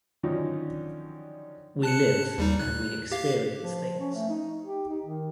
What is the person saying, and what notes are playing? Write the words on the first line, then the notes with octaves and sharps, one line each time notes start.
We live and we experience things.
D3 D#3 F3 F#3 C#4 D#4
A5 F#6 C#7
D#2 G3 D#4
F#6
G4 F5
F3
C#4
A3
D#4
G4
D#4
D#3